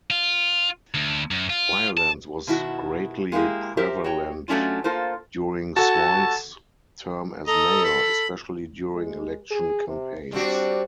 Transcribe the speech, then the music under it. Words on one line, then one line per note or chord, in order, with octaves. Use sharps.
Violence was greatly prevalent during Swann's term as mayor, especially during election campaigns.
F4
D2
F#2
F4
A5
B2 D#3 E4 F#4
G#3 A#3 E4 G4 G#4
G4 A#4 C5 E5
F#4 C#5 G5
F#3 A3 C#4 D4 F4
A#3 F4 A4 A#4 C5
F#4 A4 F#5 A5
A4 D#5 A#5
B5
G#3
G#4
C3
G3 C4 D4 F#4